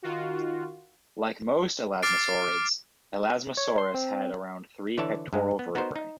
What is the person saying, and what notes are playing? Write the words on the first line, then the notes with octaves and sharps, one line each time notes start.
Like most elasmosaurids, "Elasmosaurus" had around three pectoral vertebrae.
D#3 F4 F#4
D6 F6 A6 C7 D7
C#5
C6
C4
D3 E3 C#5 D5 E5 A5
G2 G#3
B3
B3 D#4 F#4 A#4 C5
D#4